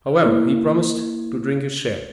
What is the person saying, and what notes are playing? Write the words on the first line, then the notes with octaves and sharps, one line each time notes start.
However, he promised to drink his share.
A#3 E4